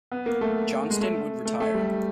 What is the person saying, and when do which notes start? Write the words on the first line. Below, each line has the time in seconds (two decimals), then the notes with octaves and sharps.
Johnston would retire.
0.12 B3
0.26 A#3
0.41 A3
0.90 G#3
1.01 A3
1.45 A3
1.60 A3
1.74 G3